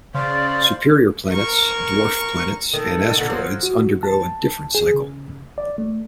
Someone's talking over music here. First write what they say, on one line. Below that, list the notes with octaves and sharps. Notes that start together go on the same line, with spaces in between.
Superior planets, dwarf planets and asteroids undergo a different cycle.
C#3 C5 D5 F5
A#4 C#6
D#3 A4
A#2 D3
F3 F#3
F#4
A5
G#4
C#3
D5
A3